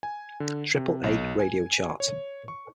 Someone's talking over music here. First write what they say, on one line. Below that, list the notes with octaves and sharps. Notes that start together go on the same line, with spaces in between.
Triple A Radio chart.
G#5
D3
C3
B1
G#5
C#5
C#6